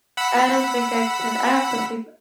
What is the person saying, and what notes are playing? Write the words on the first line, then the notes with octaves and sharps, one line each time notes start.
I don't think I could. I have to sleep
F#5 B5 E6